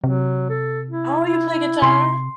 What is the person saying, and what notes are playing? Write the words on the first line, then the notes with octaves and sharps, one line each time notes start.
Oh, you play guitar?
C3 F#3
A4
E4
E4
C3 C6